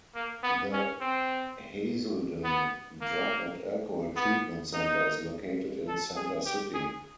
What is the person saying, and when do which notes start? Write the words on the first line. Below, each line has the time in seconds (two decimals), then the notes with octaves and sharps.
The Hazelden drug and alcohol treatment center is located in Center City.
0.15 A#3
0.43 B3
0.73 C#4
1.01 C4
2.44 B3
3.01 A#3
4.16 B3
4.74 D#4
5.88 A4
6.16 G#4
6.46 G4
6.74 G#4